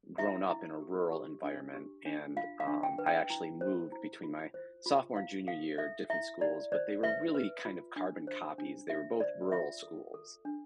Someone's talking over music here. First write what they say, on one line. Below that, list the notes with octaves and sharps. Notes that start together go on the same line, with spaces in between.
grown up in a rural environment and, um, I actually moved between my sophomore and junior year, different schools, but they were really, kind of, carbon copies. They were both rural schools,
E4 E5
E4
G4
G4
D4
G4
D4
F4 F5
F5
D4
G5
B4
G5
E4
C5
E4
F4
C5
F4
E4 F5
A4 F5
A4 E5
E4 E5
E4 D5
C5 D5
B4 E5
B4
F4
D4
C5
D4
F4 E5
C5 D5
F4 E5
A4
A4
D4